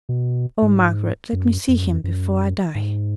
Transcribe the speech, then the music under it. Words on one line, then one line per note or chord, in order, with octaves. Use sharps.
Oh, Margaret, let me see him before I die!'
B2
G#2
F#2
F2
F#2
F2
F#2
G#2